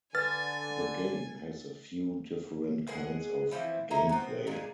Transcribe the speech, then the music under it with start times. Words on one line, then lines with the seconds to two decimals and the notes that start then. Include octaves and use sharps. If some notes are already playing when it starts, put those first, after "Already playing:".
The game has a few different kinds of gameplay.
0.15 D3 B4 G#5 A6
2.87 G#3 G#4 F#5
3.51 E3 F3 C4 E4
3.91 D#4 E4 G#5 A#5
4.09 B3 C4
4.47 A#2 G#3 G#4